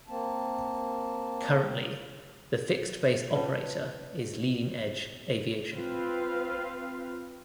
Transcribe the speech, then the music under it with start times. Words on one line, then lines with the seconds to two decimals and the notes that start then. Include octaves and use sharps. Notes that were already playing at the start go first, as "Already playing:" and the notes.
Currently, the fixed-base operator is Leading Edge Aviation.
0.08 A#3 C4 A5
3.34 C#4 F4 B4 C#5 A5
5.73 C4 F4 B4 F5